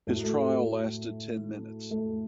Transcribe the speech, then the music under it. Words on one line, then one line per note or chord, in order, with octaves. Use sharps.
His trial lasted ten minutes.
A2 A3 A4
F#4
A3 A4
A3 A4